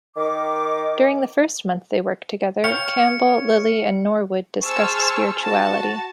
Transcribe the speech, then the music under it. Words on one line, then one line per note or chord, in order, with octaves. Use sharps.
During the first month they worked together, Campbell, Lilly, and Norwood discussed spirituality.
D#3 D6
C#5 F5 G5 C#7
G#4 C5 A5 C#6 E6 F6
F#4 A5